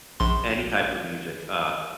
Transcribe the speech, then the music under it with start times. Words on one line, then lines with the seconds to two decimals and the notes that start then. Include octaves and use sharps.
any type of music. Uh,
0.20 A#1 C6